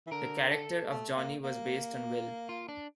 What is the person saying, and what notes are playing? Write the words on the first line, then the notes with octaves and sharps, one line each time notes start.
The character of Johnny was based on Will.
E3
D3 A#4
A4
A3
A#3
A#3
F4
D4